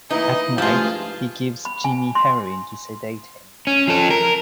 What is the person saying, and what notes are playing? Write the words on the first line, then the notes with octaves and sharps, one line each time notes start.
At night, he gives Jimmy heroin to sedate him.
E3 A#3 D#4 E4 D#5
G2 F3 G#3 A3 F4 G#4 G#5 A5
B5
G#5
C6
C#4
F3 A4
A#4